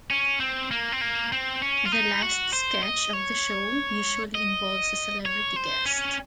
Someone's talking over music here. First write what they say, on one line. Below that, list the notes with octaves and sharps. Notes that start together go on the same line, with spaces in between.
The last sketch of the show usually involves a celebrity guest.
C#4
C4
A#3
C4
A#3
C4
C#4
F4
D#4
F#4
C5
D#5
C#5
D#5
C#5
C5
C#4